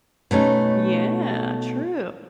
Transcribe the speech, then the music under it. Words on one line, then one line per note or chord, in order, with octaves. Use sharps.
Yeah, true.
B2 A3 C#4 D#4